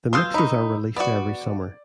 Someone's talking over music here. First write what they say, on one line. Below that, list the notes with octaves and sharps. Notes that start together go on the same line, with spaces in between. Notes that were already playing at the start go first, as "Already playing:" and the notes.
The mixes are released every summer.
B2 F4 C6 D#6 E6 G6
D#3 D#4 B5
B3 F#4 D5